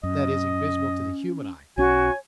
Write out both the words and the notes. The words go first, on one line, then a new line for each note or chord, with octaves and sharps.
That is, invisible to the human eye.
F#2 C#4 D#5
B1 C#4 F#4 C#5 G#5